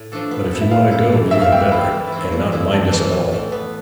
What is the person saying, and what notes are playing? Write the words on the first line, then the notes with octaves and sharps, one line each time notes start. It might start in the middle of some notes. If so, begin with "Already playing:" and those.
But if you want to go you had better, and not mind us at all!'
Already playing: A2
F3 A3 D4 A4
B3
E4 A4
E5
B3 F5
E4 A4
E3
A3 C4 E4 E5
F5
E3 G5
A3 C4 E4 B5
E3
A3 C4 E4
E3
A3 C4 E4
A2 A5
E3 A3
A2
E3 A3
B3